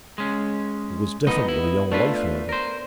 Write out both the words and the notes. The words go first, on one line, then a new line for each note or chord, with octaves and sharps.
It was different with the young wife, however.
G#3 C#4
A2 B3 D#4 D#5
E4
A3 D4 F4 B4
A#4 C5